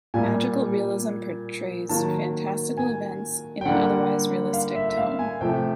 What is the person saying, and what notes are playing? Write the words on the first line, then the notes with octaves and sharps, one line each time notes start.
Magical realism portrays fantastical events in an otherwise realistic tone.
A#2 G3 A#3 G#5
D#3 F#3 A#3 A5
G#5
G5
D3 G3 A#3 F#5
F5
E5
E5
F5
G#5
C3 F3 A3 G5